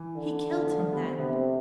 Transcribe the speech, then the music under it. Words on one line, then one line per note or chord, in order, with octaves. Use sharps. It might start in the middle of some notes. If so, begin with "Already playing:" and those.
'He killed him, then.'
Already playing: E3
D3
F3
F3 A3
G3 B3
A3 C4
C3 B3 D4
A3 C4